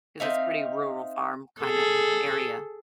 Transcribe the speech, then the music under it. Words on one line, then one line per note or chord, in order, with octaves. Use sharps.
'Cause it's pretty rural farm kinda area,
C4 D#4 E5 F5
G#4 A4